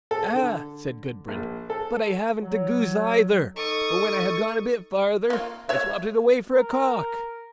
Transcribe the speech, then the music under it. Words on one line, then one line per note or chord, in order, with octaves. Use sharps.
'Ah!' said Gudbrand, 'but I haven't the goose either; for when I had gone a bit farther I swopped it away for a cock.'
A4
D3
A#1
A4
F#3
D#4 A4 C#6 D#6
A#3 F4
C#5 E5
A#4